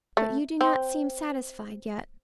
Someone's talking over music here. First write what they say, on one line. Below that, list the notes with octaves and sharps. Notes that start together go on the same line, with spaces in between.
But you do not seem satisfied yet?
A3
C4